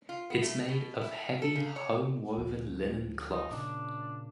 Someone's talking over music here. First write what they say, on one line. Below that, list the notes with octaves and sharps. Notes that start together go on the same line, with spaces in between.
It is made of heavy home-woven linen cloth.
F4
B3
A3
B2
E4
A4
C#3
C#5
D2 F3 G#3
D#4
A#2 C#3 D4